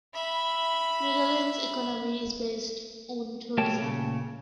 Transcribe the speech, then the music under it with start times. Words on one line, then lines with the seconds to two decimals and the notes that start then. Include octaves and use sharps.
Medulin's economy is based on tourism.
0.14 E5 B5
3.57 B2 A3 G4 C#5 G5 A5
3.78 A#2 C#3